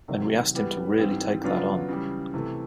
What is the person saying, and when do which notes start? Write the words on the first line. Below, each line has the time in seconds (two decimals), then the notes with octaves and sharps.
And we asked him to really take that on.
0.08 C3 D#3 F#3
0.54 E3 G3 B3
0.98 G#2 E3 G3 C4
1.43 C#3 F#3 B3 D4 F4
1.89 C#3 E3 G3
2.34 C3 E3 A3